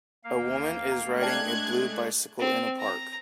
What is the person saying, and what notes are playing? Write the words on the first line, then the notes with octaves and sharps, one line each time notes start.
A woman is riding a blue bicycle in a park.
D#2 A#3 F5 G5
G#3 A3 D4 A#5
D5 G5 A5 F#6 G#6
C4
A#5